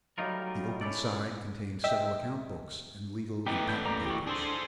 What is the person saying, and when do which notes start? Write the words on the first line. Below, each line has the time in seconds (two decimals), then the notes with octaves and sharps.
The open side contained several account books and legal and patent papers.
0.18 F#3 G3 A3 D#4 F4 A#4
0.81 C#4 E4 A4 D5
1.84 D#5 E5 G5
3.47 A2 E3 B3 D#4 G4
3.68 B3 D4 G6
3.85 A#3 D5 A#5
4.06 F#4 G4
4.27 D4 G#4 A4 C5 C6